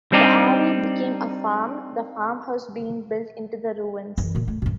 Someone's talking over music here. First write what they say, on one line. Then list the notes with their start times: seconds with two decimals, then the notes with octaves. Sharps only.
The Abbey became a farm, the farmhouse being built into the ruins.
0.12 G3 C4 D4 D#4 G4
4.18 F#2 E3
4.35 A#2 A#3
4.48 A3
4.62 G2 A#2